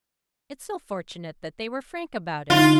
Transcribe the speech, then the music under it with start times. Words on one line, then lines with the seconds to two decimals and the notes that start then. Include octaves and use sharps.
It's so fortunate they were frank about it.
2.50 D3 D#4 F4